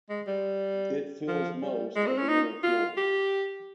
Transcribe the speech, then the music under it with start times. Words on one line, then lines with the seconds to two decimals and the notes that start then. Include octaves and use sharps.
It fills most of the inner fjord.
0.09 G#3
0.27 G3
1.28 F3
1.62 G3
1.96 G#3
2.07 C4
2.18 C#4
2.28 D#4
2.63 F4
2.97 G4